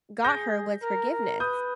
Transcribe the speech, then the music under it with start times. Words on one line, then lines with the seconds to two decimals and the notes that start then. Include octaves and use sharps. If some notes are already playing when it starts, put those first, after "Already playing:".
got her was forgiveness.
0.24 G#4 G6 A#6
0.82 A#4
1.11 A#4
1.40 B4 D#6 G6